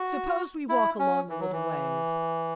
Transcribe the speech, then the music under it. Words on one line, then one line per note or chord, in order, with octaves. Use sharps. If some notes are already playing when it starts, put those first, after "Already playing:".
Suppose we walk along a little ways?
Already playing: F#4
E4
C#4
E3
F#3
E3